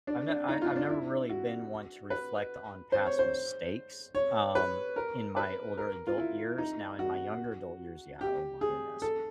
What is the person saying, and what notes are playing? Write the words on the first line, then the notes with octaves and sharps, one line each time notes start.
I've n I I've never really been one to reflect on past mistakes, um, in my older adult years, now in my younger adult years, yeah, oh my goodness,
D4
D4
D#4
F4
D4
E4
F#4
B4
C5
C#5
C5
C#5
B4
A#4
B4
A#4
F4
E4
D#4
F#4
G4
G#4
A4